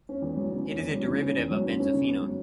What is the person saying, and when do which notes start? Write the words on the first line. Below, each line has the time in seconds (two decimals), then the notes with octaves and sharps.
It is a derivative of benzophenone.
0.09 C#4
0.22 E2
0.37 F#3
0.51 C#3
0.65 C#4
0.80 E2
0.94 F#3
1.08 C#3
1.22 C#4
1.37 E2
1.51 F#3
1.65 C#3
1.80 C#4
1.94 C#3
2.09 B3
2.22 F#3